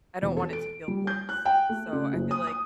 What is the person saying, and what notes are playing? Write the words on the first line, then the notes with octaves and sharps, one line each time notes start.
I don't want it to feel forced, so I feel, like,
E1
A4
D7
G3
G6
F#6
G5
A3
C#3
F#1
D#6
D#6